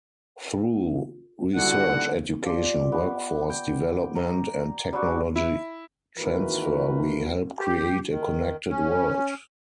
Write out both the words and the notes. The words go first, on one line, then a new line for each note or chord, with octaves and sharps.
Through research, education, workforce development and technology transfer, we help create a connected world.
D3 G3 E4 F#4 F#5
F3 G4 D5 C6
B3 G4
G5
A#5
G3 C4 D4 F#4
E4
G#1 D#2 E3 F#4 A#4 B4
G4
D#3
C#4